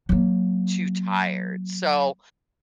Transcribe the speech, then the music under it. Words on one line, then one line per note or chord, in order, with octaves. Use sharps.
too tired. So,
F#3 A#3